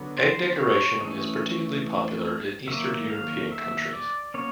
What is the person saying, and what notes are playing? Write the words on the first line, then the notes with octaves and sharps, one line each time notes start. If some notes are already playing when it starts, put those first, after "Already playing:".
Egg decoration is particularly popular in Eastern European countries.
Already playing: D3 F#3 B3
C5
C#5
E3 A3 C#4 D#5
D#3 F#3 A#3 E5
F5
E5
D5
F#3 A#3 C#4 C#5